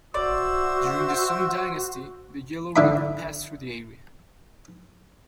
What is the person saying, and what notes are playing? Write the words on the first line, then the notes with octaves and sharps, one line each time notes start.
During the Song Dynasty, the Yellow River passed through the area.
F#4 C5 D5 E5 E6
D3 E5 B5